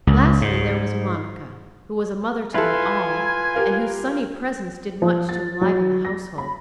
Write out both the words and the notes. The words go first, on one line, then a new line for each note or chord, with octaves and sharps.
Lastly there was Monica, who was a mother to them all, and whose sunny presence did much to enliven the household.
C#2
G#2
E4 F4 A4 B4 G#5
G4 A#4 F5
F3
A6
F#3
A#6
B5